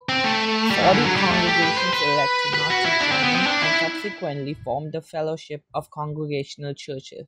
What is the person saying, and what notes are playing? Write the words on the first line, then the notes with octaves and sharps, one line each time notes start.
Forty congregations elected not to join, and subsequently formed the Fellowship of Congregational Churches.
C4
A3
G3
E3
D3
F#3
G3
A3
G4
B4
C5
B4
B4
F#4
E4
D4
C4
B3
C4
D4
E4